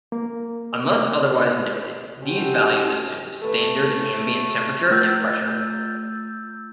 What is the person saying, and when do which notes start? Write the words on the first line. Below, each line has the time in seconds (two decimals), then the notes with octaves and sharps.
Unless otherwise noted, these values assume standard ambient temperature and pressure.
0.12 A#3
2.21 C#4 D#4 F#4 G4 A4 C5
3.42 A3 A4 B4
4.91 A3 F4 E6 G6 A6